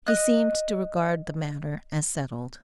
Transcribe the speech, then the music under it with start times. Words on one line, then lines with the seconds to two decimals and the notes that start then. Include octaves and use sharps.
He seemed to regard the matter as settled.
0.07 D#5 F#6